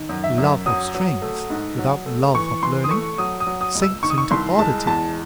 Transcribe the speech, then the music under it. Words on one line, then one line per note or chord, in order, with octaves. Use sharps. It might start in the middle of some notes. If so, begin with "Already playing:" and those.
Love of strength, without love of learning, sinks into oddity.
Already playing: D#3
F#2
E5
F#2
F#3 D#6
F#3
A3
G#2
F#3
A3
E3 C#6
E3 C6
D#6
A3 C#6
F#3 D#6
D#6
F#3
D#6
C#2
E6
D#3 C#6
D#6
C#6
C2 C6
G#3 A5
E2 A5